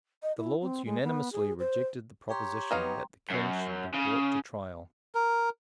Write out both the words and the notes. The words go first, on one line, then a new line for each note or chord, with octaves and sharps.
The Lords unanimously rejected the proposition that the King should be brought to trial.
D#5
E4
C4
G#3
B3
G#4
C5
G4 C#5 G5 A#5 C6
F#3 B3 D#4 F5
F#2
C#3
A#4